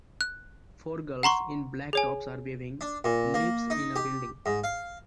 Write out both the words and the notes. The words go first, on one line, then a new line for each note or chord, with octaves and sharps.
Four girls in black tops are weaving leaves in a building.
F#6
F#5 A#5 C6 C#6
G#4 C#5 G#5
D4
A#2
A#3
D#4
G4
G#2
F5